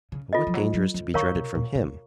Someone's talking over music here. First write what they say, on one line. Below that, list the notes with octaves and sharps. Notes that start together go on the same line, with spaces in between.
"But what danger is to be dreaded from him?"
C#3
F4 A4 D#5
F3
F#3
F#3
F3
D#3 A#4 C#5 F5 A#5 C#6
C3
A#2
C3